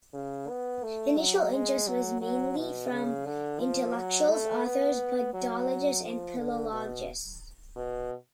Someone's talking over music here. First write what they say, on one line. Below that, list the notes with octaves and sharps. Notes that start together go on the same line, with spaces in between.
Initial interest was mainly from intellectuals, authors, Buddhologists and Philologists.
C#3
B3
A3
F#3
G#3
F#3
F#3
B2
C#3
D3
F3
F#3
A3
B3
F#3
F3
D3
B2
B2